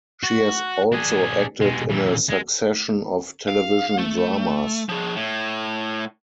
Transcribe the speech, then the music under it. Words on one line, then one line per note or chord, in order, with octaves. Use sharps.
She has also acted in a succession of television dramas.
F#4
D4 G#4
B2 G#3
A#2 E3
G#3
F5
A3
F3 G#4
A2